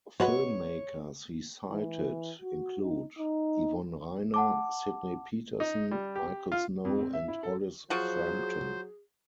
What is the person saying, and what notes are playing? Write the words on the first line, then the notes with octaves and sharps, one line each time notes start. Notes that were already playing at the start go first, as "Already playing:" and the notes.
Filmmakers he cited include Yvonne Rainer, Sidney Peterson, Michael Snow, and Hollis Frampton.
G#3 F#4 B4 C#5
E3
F#4
D#4
D#4
F#5 A5 D6
D#4
G3
G4
F4
F2
C4
E5
E4
A4
F3 F#3 F#4 G#4 C5